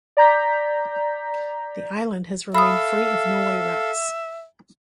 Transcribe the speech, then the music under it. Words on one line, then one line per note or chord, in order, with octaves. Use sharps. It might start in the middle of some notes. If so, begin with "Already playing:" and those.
The island has remained free of Norway rats.
D5 A#5 G6 B6
A4 E5 F5 B5 D#6